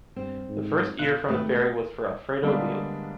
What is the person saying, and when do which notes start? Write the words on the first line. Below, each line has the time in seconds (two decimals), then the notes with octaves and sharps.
The first ear from the fairy was for Alfredo Leal.
0.16 G2 C4
0.48 G#2
0.99 B2 F4 F#6
1.28 G#1 A3 G4 B4
2.43 D3 G3 G#3 A#3 B3 D4